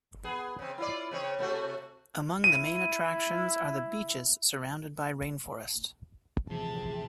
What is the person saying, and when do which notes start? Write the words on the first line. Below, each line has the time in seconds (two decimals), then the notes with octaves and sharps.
Among the main attractions are the beaches surrounded by rainforest.
0.24 B3 G#4
0.59 C#3 C4
0.78 E4 F4 D5
1.11 C#3 C4 C#5
1.39 C3 A3 F#4
2.44 E4 D#7
6.50 D#1 A1 C3 F3 G#4 A5